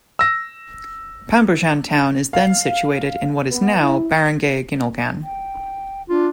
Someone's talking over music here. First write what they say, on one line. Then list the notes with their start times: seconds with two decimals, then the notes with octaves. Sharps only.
Pambujan town is then situated in what is now Barangay Ginulgan.
0.19 E6 A#6
2.33 F5
3.49 B3
3.78 E4
5.23 G5
6.10 D4 F4